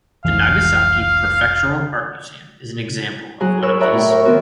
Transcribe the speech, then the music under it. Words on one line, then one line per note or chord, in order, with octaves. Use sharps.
The Nagasaki Prefectural Art Museum is an example of one of these.
F1 C2 E3 F5
F#3 G#4 F#5 A#5
G#4 A#4 B4 C#5 D#6 E6
C#5 D5 E5 F#5 A#5
A2 G5
A#4 C#5
D#3 B3 C4 F#4 A#4